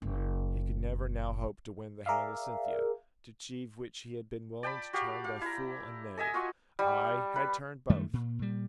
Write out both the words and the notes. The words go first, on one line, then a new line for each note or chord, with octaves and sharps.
He could never now hope to win the hand of Cynthia, to achieve which he had been willing to turn both fool and knave--aye, had turned both.
F#1
G#4 A#4 D5 E5 F5
D5 G5 A5 B5
F#4 G4 F5
F5
E4 A#5
A4 D#5 E5 G#5
F4 F#4 C#6
G3
B4
F#2 D#3 G3 A3
A#2
A#2 G3